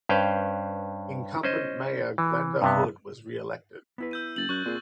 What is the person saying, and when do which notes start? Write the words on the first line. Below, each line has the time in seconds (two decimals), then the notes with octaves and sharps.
Incumbent mayor Glenda Hood was reelected.
0.09 G2 C#4 B4 C5 F5 G5
1.43 C#4 C5 D#5
2.18 E3
2.62 G2 C3 B3
3.98 B3 E4 B4
4.11 E6 G6 D#7
4.36 F#1 A6 F#7
4.49 F#2 C#6 F#6
4.65 A#2 C4 F4 G#4